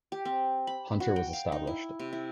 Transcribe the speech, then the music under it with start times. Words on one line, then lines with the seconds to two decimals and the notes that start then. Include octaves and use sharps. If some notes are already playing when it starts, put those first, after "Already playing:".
Hunter was established.
0.12 G4
0.25 C4
0.67 B5
1.00 F#4
1.16 G5
1.33 F5
1.52 D#4
1.67 E4
1.99 C3
2.13 E4